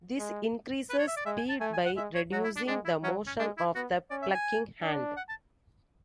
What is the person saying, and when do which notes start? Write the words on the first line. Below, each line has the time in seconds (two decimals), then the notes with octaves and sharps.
This increases speed by reducing the motion of the plucking hand.
0.19 G#3
0.90 B4
0.99 C#5
1.07 E5
1.17 D5
1.26 G#3 E5
1.37 G#5
1.49 A5
1.60 A3 G#5
1.73 G#5
1.85 F#5
1.96 G#3 E5
2.15 C#5
2.32 F#3 F#4
2.44 E4
2.56 D4
2.68 G#3 D4
2.85 E4
3.03 F#3 C#4
3.27 C#4
3.39 G#3 D4
3.57 E4
3.75 B3 F#4
4.10 C#4 D5
4.22 E5
4.34 G#5
4.82 D4
5.17 F#5
5.29 A5